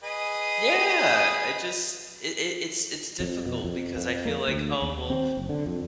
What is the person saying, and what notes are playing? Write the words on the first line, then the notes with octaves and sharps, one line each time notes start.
Yeah. I just it it it's it's difficult because I feel like, "Oh, well,
G#4 B4 D#5
F2
B2
F2
F2
A#3
D2
D#2
C4
F#1
D3
F2